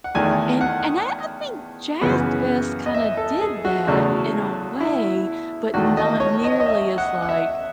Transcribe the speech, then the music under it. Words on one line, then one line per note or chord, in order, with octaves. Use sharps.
and and I I think Jazz Fest kinda did that in a way, but not nearly as, like,
F#5
E2 D#3 A3 G#5
F#5
F#2 C#3 E3 B3
D#5
E5
A4
G#4
F#4
E2 C#3 F#3 A3 F#4
E4
E2 D#3 A3 F#4
D#5
C#5
D#5
D#5
E5
F#5
F#5
E5